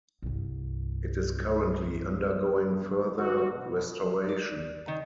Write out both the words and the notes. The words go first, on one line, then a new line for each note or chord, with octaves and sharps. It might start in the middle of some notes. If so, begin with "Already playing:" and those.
It is currently undergoing further restoration.
C2 G2
F#4
B2
D5
D#3